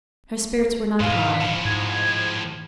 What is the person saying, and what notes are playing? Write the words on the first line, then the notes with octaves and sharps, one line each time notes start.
Her spirits were not high.
G#2 B2 E3 F5
A2 F3
G#2 G#6